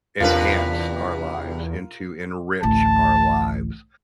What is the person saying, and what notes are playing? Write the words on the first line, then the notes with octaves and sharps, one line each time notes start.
enhance our lives, and to enrich our lives,
E2 G2 C3 F4 A#4 B4
A1 D2 A5